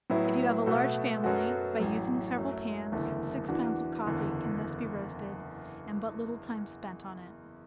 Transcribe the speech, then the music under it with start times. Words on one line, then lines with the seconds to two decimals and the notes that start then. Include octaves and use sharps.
If you have a large family, by using several pans, six pounds of coffee can thus be roasted, and but little time spent on it.
0.10 A2 F#3 B3 E4
0.66 B2 A3 F#4 A4
1.23 F#2 F#3 B3 F#4 A4
1.79 A1 A2 F#3
2.36 F#2 F#3 A3
2.92 F#1 E2 D3 A3
3.48 E2 E3 D4 F#4
4.06 F#1 E2 D3